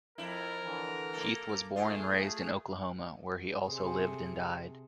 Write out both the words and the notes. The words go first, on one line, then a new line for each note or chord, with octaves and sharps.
Keith was born and raised in Oklahoma, where he also lived and died.
F2 E4 A#4
D3 E3
A#3 A4
D6
A3 F4 G#4
C3 G#4 A4 C5